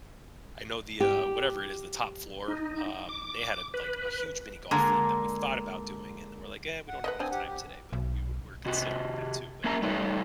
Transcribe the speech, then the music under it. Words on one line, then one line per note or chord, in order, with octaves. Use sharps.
I know the uh, whatever it is, the top floor, um, they had a like, a huge mini golf thing that we thought about doing, and then we're like, "Yeah, we don't have enough time today," but we were we're considering that too, but,
G4
D#4
D6
B4
D3 G#3 A#3
F#5
B4 C#5 D#5
C4 D4 C5 G#5 D#6
G4 F#5
G4
B1
C3 F#4
A#3 C#4 A#4 E5 A5 A#5
G3 A3 D#4 B4 C#5